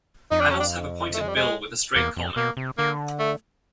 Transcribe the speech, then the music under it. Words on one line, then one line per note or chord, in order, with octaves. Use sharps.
Adults have a pointed bill with a straight culmen.
F2 D#4
D4
C#4
D4
A3
G#3
G3
G#3
E2 A#3
F2
B2 A#3
C3
D3 A#3
A3